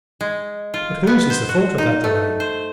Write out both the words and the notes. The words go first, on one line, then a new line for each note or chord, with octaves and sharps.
But whose is the fault of that delay?
G#3
F4
B3
C5
F#4
D#4
A3
C5